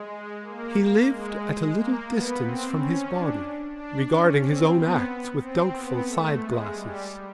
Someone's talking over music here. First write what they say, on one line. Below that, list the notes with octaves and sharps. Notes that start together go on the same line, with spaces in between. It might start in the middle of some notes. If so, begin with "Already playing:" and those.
He lived at a little distance from his body, regarding his own acts with doubtful side-glances.
Already playing: G#3
A#3
G#3
A#3
B3
C4
C#4
D4
D4
C#4
C4
B3
C4
B3
A3
G#3
G3